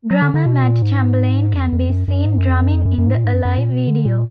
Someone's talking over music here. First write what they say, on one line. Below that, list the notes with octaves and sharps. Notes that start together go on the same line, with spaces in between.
Drummer Matt Chamberlain can be seen drumming in the "Alive" video.
F#3
D3
D3
B2
A#2
G#2
F2
F2
F#2
F#2
G#2
F#2
F2
F#2
F2
F#2
F#2
G#2
A#2
G#2
F#2
F#2
A#2
B2
D3
A#2